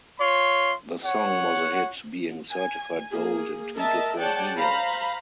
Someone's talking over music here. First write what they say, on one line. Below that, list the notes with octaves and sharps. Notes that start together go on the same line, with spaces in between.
The song was a hit, being certified gold in two different mediums.
F4 C#5 C6
C#5 F#5
G#5
A#3 G#4
A#4 D#5 E5 A5
G#4 C#5 D5 F#5 G5 A5
C5 F5 A#5 B5